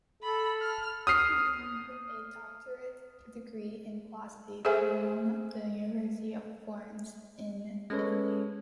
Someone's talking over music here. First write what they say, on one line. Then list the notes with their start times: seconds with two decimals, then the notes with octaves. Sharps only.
He earned a doctorate degree in philosophy from the University of Florence in Italy.
0.23 A4 B5
0.61 F6
1.07 D#6 F6 C7
4.65 G#4 A4 C5 E5 G#5
7.90 G#3 C#4 A4 B4 C#5